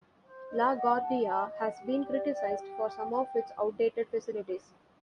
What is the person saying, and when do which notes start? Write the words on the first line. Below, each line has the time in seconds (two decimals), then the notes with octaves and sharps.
LaGuardia has been criticized for some of its outdated facilities.
0.24 C5
0.50 D#5
0.77 F#5
1.03 A5
1.29 D#5
1.55 F#5
1.82 G4
2.07 D5
2.34 G5
2.60 G4
2.86 G5
3.13 G5